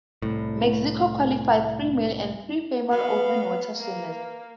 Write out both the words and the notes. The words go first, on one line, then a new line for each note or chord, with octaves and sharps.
Mexico qualified three male and three female open water swimmers.
C2 A2
E3 F#3 B3 B4 F5
A#3